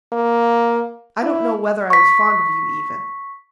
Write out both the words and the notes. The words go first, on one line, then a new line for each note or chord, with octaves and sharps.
I don't know whether I was fond of you even.
A#3
E4
C#6 B6